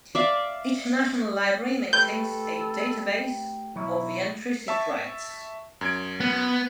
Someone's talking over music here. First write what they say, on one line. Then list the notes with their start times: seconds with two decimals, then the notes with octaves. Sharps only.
Each national library maintains a database of the entries it writes.
0.15 D5 E5 F5
1.93 A3 G4 A4 B4 G6
3.76 B1 F#3 E4
4.68 E5 A5 C#6
5.81 F#2 G#6 D7
6.20 B3